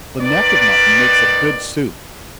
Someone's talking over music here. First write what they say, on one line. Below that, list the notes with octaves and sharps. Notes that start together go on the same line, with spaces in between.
The neck of mutton makes a good soup.
D#3 B4 D5